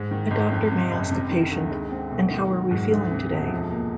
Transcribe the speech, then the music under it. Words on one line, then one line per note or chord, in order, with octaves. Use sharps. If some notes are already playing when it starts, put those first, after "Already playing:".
A doctor may ask a patient: And how are we feeling today?
Already playing: G#2
D#3
G#1
F2
C3
F#1
C3
D#3
D2
G#3
C4
B2
D#3
F#3
G#2
D2
C3
E1
F3
A#3